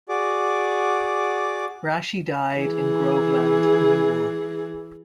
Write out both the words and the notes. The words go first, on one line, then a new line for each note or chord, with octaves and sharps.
Raschi died in Groveland, New York.
F#4 G#4 D5 D6
E3 G#4